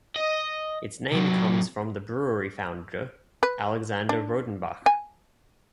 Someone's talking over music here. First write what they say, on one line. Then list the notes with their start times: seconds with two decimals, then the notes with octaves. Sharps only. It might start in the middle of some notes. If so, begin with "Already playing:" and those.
Its name comes from the brewery founder, Alexandre Rodenbach.
0.16 D#5
1.12 C3 F#3
3.43 B4
4.09 D4
4.86 G#5